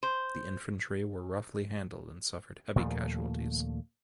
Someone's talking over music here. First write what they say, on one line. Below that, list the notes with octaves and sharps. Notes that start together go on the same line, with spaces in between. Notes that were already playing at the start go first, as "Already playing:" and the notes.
The infantry were roughly handled and suffered heavy casualties.
C5
D#2 A#2 F3 A3